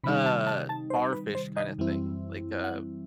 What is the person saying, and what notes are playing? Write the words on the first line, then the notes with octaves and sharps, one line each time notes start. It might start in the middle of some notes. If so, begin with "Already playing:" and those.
uh, bar fish kind of thing, like, uh,
C3 D#3 G3 D#4 B5
A5
A5
A5
C5
B4
C5
D#5
F#2 E3 G3 C4 E4
F#5